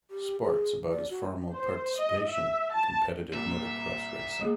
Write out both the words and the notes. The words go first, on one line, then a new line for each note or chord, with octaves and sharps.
Sports, about his formal participation in competitive motorcross racing.
G4
G#4
D5
F#4
C5
D#5
E5
A5
C2 A#2 E5
G#3 A#3 G#4